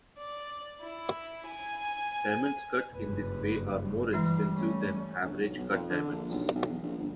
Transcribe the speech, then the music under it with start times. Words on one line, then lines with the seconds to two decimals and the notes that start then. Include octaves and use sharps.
Diamonds cut in this way are more expensive than average cut diamonds.
0.18 D5
0.82 E4
1.46 G#5
2.93 F#1 G2 B4
4.13 E3 G3 G#3 E4
4.51 A3 C#4
5.24 G1
5.40 B1
5.57 B1
5.70 F2
5.90 D3
6.11 A#1
6.31 B1
6.55 B1
6.69 E2
6.82 A#1
6.98 G1